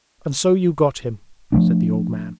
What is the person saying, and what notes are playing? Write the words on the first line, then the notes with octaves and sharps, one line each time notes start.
'And so you got him!' said the old man.
F3 F#3 A3 D4